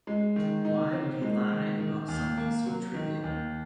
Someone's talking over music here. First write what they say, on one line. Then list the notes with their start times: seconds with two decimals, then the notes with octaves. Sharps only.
Why would he lie about something so trivial?
0.07 G#3
0.36 D#3
0.65 D#4
0.93 C4
1.22 G#3
1.51 D#3
1.80 D#3
2.08 D#2
2.37 A#3
2.66 F#3
2.94 D#3
3.24 D#2